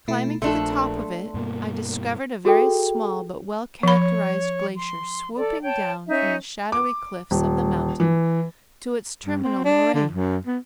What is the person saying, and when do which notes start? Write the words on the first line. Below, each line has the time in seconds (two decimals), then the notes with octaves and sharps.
Climbing to the top of it, I discovered a very small but well-characterized glacier swooping down from the shadowy cliffs of the mountain to its terminal moraine.
0.08 B2 A3 E4
0.42 A#1 A3 D4 A4 C6
1.34 G2 B2 A#3
2.45 F#4 G#4 A4 G5
3.83 F3 C#5 B5
4.76 C6
5.37 A4 D5
5.63 C#5 G5 A5
6.08 C#4 D#4 E5
6.72 D6
7.31 D#1
8.00 E3
9.25 G2
9.44 C4
9.65 D4
9.94 D3
10.11 F#2
10.47 B3